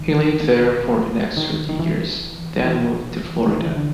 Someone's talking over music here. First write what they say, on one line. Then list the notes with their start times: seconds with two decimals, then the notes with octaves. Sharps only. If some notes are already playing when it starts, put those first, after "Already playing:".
He lived there for the next thirty years, then moved to Florida.
Already playing: D#3
1.37 D#3
1.69 D#3
1.79 E3
2.64 E3
3.48 D#3
3.62 E3
3.76 D3